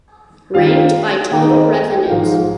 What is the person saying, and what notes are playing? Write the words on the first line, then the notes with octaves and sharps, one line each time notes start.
Ranked by total revenues.
D#3 G3 C4 F4 F5
D#3 G#3 D#4 G5
D#5
G5
G5
G5
G#2 F3 G#3 F5